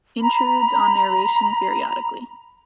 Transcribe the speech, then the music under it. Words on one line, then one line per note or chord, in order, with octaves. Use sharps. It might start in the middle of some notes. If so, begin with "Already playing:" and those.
Intrudes on narration periodically.
A#5 B5